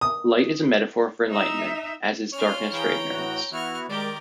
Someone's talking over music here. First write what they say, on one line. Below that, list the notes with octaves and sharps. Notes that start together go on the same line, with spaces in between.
Light is a metaphor for enlightenment as is darkness for ignorance.
D#6
D#4 E5
C#4 F4 C#5 F6
E3 G#4 F5 G5 A#5 B5
A2 F#4
E3 B3 E4 F#4 C#6 F6
D#3 G#3 G4 A#4 D5